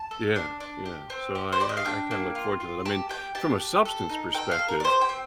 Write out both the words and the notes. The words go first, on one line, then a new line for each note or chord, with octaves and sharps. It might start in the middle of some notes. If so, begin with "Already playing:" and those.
Yeah. Yeah. So I I I kinda look forward to that. I mean, from a substance perspective,
Already playing: A5
A4
D4
D4
G4
C4
G4
C5
G4 D5
D#5
F5
D4 G5
A#3
F4
F4
G4 A5
G4 G5
G4 A5
G4
A4
D#4
A4 G5
F5
A4
A#4
D5
G4 C5
G5
C4